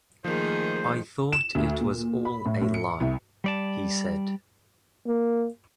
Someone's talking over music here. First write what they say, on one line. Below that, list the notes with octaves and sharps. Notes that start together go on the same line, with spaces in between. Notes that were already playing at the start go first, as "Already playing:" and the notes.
"I thought it was all a lie," he said.
D#3 F3 A3 A#3 G#4 C5
E7
D2
A#2
B5
A2
A2
C#7
C2
G3 D5 A5
A#3